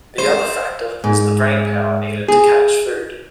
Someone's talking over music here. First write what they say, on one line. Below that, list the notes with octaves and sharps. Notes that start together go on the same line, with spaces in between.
The other factor is the brain power needed to catch food.
C5
G#2
G#4